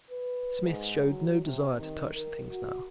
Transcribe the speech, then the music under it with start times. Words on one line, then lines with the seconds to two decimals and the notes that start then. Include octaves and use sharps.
Smith showed no desire to touch the things now.
0.11 B4
0.63 G#2
1.05 F#3
1.44 C3
1.78 D#3
2.13 A#4
2.47 F#4